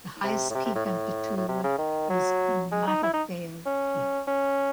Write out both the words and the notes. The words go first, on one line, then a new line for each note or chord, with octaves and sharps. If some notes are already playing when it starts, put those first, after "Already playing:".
The highest peak on Tutuila is Matafao Peak.
C3
A2
C3
C3
A2
A2
A2
C3
C#3
D#3
F#3
G#3
D#4
E4
D#4
C#4
C#4